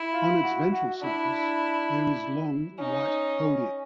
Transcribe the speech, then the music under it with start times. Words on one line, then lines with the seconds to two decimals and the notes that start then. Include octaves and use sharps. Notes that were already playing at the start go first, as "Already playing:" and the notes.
On its ventral surface there is long white podia.
Already playing: E4
0.13 F4
0.43 F#4
0.72 F#4
1.02 D4 E4
2.78 C#4 D#4